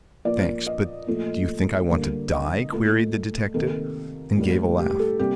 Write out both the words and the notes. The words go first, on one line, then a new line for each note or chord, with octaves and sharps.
"Thanks, but do you think I want to die?" queried the detective, and gave a laugh.
A#2 F3 A#3 D5
D#5
A#2 F3 A3
D3 G3 A#3
D#5
A#2 A3
C3 D#3 A#3 A4
A2 G3 A#3
G4
G4
A4
C3 G3 A#3 G4